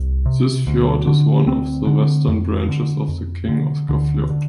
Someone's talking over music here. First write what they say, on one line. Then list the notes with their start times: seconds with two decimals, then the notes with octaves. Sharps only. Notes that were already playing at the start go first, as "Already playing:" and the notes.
This fjord is one of the western branches of the King Oscar Fjord.
Already playing: C2
0.26 C3
0.67 D2
1.07 D3
1.47 D2 C4
1.87 D3
2.28 F2
2.69 D3
3.08 F2
3.49 D3
3.89 D2 D3
4.30 D3